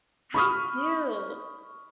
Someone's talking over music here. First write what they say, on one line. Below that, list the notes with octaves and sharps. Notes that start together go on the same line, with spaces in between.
I do.
B5 C#6 D#6 F6